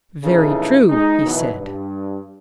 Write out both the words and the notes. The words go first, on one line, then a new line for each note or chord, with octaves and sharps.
Very true, he said.
A#1 C#3 E3 D#4 A4
G#3 D#4
B2 D#3 E3 F#3 B3
G2